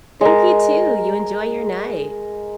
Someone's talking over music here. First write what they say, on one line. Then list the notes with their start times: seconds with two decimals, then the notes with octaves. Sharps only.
Thank you, too, you enjoy your night.
0.21 G#3 A#4